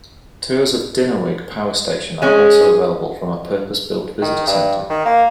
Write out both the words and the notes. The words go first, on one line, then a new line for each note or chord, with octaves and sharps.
Tours of Dinorwig power station are also available from a purpose-built visitor centre.
G#3 C#4 G#4
D#3
G2
D#3
A#3